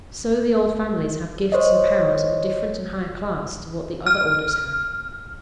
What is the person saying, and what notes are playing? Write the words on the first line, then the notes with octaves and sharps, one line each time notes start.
So the old families have gifts and powers of a different and higher class to what the other orders have.
C5 C#5 D#5
F6